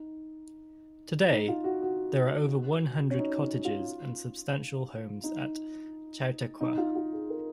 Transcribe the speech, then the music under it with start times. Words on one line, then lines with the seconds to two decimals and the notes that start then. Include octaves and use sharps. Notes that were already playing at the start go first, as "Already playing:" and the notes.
Today, there are over one hundred cottages and substantial homes at Chautauqua.
Already playing: D#4
1.31 D#4
1.48 F4
1.64 F#4
1.82 F#4
3.11 C#4
3.19 D#4
3.42 C#4
3.65 F4
5.24 D#4
6.61 D#4
6.77 F4
6.96 F4
7.13 G#4
7.30 A#4